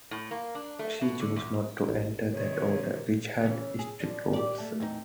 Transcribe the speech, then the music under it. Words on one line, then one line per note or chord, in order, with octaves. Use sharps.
She chose not to enter that order, which had strict rules.
A2
A#3
D4
A3
B2
D3
E2
A1
C3 D#3 C#5
C#3 E3 C#4
G#4
F3 D4
G4 D5
A3
E2 C4 D#4